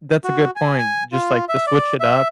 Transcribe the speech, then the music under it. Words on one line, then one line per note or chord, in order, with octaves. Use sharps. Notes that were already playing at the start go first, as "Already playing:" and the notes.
That's a good point. Just, like, to switch it up.
F#4
G#5
G#5
F4
E5
D5
E5